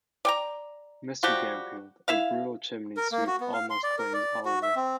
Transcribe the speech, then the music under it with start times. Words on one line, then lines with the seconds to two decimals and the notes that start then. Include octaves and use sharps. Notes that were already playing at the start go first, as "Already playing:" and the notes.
Mr. Gamfield, a brutal chimney sweep, almost claims Oliver.
0.25 D5 G5 A#5
1.23 F3 G3 F#4 G4
2.08 E4 E5 F5
2.97 A#4
3.12 A#3
3.27 F#4
3.41 B3
3.53 F5
3.70 C6
3.84 D5
3.98 A#4
4.14 D5
4.45 F#4
4.63 E5
4.76 C4